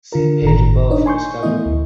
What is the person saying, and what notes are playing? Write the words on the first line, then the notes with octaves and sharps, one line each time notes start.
See page above for Discography.
D3 F4 A#4
G1 A2 D#3 A#5
D4 D#4 C#5 D#5
G#5 C6 C#6 G6
E3 A3 B3 E4 D#5
D2